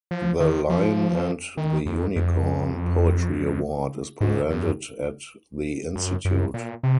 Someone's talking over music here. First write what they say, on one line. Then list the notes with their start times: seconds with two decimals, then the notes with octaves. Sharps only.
The "Lion and the Unicorn" Poetry Award is presented at the institute.
0.11 F3
0.40 D#3
0.69 F3
1.57 D#3
1.86 F2
2.16 F2
4.21 G#2
4.50 F#2
5.96 F#2
6.25 F#2
6.54 A#2
6.83 C3